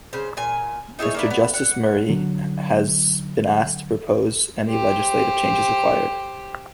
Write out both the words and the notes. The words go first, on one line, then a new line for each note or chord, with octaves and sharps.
Mr Justice Murray has been asked to propose any legislative changes required.
C#3 C5
A#2 G#5
D#4 E4 G#4 C#5
A#3 D4 E4
B3
F#5
D3 F#3
G4 C5